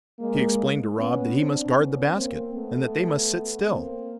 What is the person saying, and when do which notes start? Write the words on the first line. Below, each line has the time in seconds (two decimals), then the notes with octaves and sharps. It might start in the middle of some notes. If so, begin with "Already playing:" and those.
She explained to Rob that he must guard the basket, and that they must sit still.
0.20 G#3 A#3
0.97 B3 C#4
1.36 C4 D4
1.75 B3 C#4
2.15 A#3 C4
2.53 A3 B3
3.70 A#3 C4